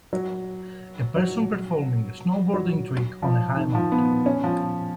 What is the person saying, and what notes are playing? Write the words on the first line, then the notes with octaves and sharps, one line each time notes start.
A person performing a snowboarding trick on a high mountain.
F#3
F#3
F#3
F3
D#3
F3
B3
C#4
F3